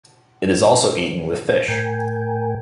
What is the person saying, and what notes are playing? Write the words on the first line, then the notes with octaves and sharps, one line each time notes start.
It is also eaten with fish.
A2 A#4 G5 G#5